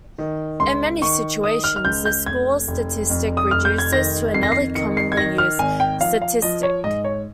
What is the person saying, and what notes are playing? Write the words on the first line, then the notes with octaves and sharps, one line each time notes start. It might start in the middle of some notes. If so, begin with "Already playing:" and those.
In many situations, the score statistic reduces to another commonly used statistic.
D#3
C#2 C6
D#3 C#6
D#3 D#6
F6
F6
C#2 G6
G6
F1 G#6
F1
F2
D#6
F1 F6
G6
G#6
D#3 A#6
F2 C7
A#6
C7
D#3 C#7
C7
G#6
D#3 A#6
F6
G#1 G#5
G5
F3 F5
F5
F3 D#5
C#5
G#2 D#5
C#5